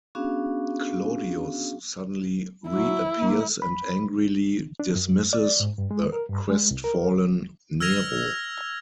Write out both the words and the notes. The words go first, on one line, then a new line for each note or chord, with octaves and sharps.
Claudius suddenly reappears and angrily dismisses the crestfallen Nero.
B3 C#4 D4 F#4 G#4 F5
F#3 E4
A#3
B5
D4
F#2
D5
G#2
G2
G#3
A#4
G2
G#3
C2
A#4
E6 F6 G#6 A#6 F7